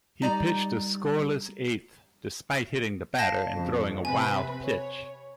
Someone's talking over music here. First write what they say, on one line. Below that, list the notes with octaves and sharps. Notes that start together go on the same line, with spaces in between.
He pitched a scoreless eighth despite hitting a batter and throwing a wild pitch.
G3 D#4 D5 A#5
F5 A5 A#6
F2 C#3
C3 C4 B4 G#5
C#5